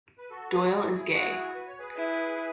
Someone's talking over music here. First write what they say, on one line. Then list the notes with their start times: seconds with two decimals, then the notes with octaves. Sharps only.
Doyle is gay.
0.18 B4
0.30 F#4 A4
0.50 G#4 B4
0.72 F#4 A4
0.92 E4 G#4
1.13 E4 F#4 G#4
1.55 B4
1.67 C#5
1.79 G#4 B4
1.96 E4